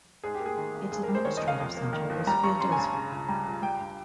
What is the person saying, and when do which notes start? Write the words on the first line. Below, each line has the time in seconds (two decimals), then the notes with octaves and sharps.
Its administrative centre was Feodosiya.
0.24 G#2 G#4
0.35 G4
0.40 A#3
0.46 G#4
0.57 D#3
0.75 G#1
0.92 G2 G#4
1.03 A#4
1.08 G3
1.15 C5
1.25 D#3 C#5
1.37 D#5
1.42 G1
1.48 F5
1.60 F2
1.77 A#3
1.93 D#3
2.10 G1
2.27 G3 A#5
2.44 G2 C#6
2.60 C#4 C6
2.72 G#5
2.78 G2
2.84 A#5
2.94 C#3
3.12 C#2
3.28 G3 A#5
3.46 C#2
3.62 G3 G5
3.79 G2